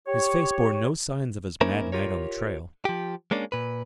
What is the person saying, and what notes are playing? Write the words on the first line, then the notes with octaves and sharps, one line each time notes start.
His face bore no signs of his mad night on the trail.
G4 C#5
A#3 C#4 D#4 E4 A#4 C5
F4 G4 A#4 C#5
F3 G4
G#3 A#3 C#4 D4
A#2 B4